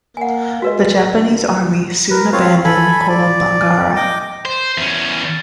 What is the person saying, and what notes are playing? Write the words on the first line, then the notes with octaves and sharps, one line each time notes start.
The Japanese Army soon abandoned Kolombangara.
A#3 F#5 G#5
G#3 F#4 B4 D#5
D3
A#4 B4
C4 F4 C#5 F5
A4 G#5 B5
D5
D#5 G5 D6
C5
E2 C#4